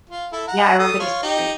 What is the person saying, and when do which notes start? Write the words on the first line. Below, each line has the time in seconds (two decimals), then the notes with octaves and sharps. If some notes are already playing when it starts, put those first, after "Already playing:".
Yeah, I remember these pictures.
0.10 F4
0.32 E4 A4
0.48 F#5 A#5
0.79 A4 D#6
1.00 F4 C#5
1.23 D#4 G4